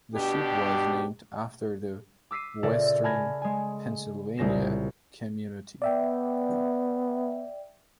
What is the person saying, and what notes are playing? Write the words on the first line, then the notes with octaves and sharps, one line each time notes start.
The ship was named after the Western Pennsylvania community.
B2 D4 G4
D6 E6 B6 C7 D#7
A#2 C#3 A4 A#4 D5 E5
G#5 A5 B5 F6 G#6 A#6
G#3 G#5
C2 A#2 C#3 A#6 E7
B3 D5 E5 G5